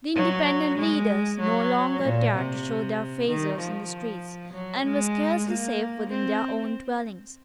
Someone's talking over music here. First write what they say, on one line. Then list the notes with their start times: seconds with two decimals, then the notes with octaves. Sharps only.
The Independent leaders no longer dared to show their faces in the streets, and were scarcely safe within their own dwellings.
0.15 F#3
0.78 G#3
1.40 F#3
2.03 A#2
2.35 C3
3.28 D#3
3.60 F3
4.53 F#3
4.84 G#3
5.47 A#3
6.10 C4